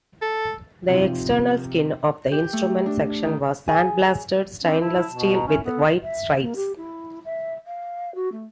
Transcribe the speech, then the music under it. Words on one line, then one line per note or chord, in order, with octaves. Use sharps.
The external skin of the instrument section was sandblasted stainless steel with white stripes.
A4
C3 F3 D#4 F4
G4
A3
D4
D#3
G#4
C4 D4
E4 A5
B2
A#5
C#4 E4
B3 A4
E5
A#3
G4
E4
E5
F5
F#4
A3